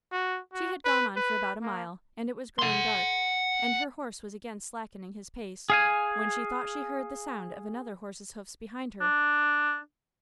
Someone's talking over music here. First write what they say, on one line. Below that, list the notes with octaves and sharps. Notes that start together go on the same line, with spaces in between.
She had gone on for about a mile, and it was growing dark, and her horse was again slackening his pace, when she thought she heard the sound of another horse's hoofs behind her.
F#4
F#4
B4
B4
A#3
F#5 C6
G#4 F5 G#5
D4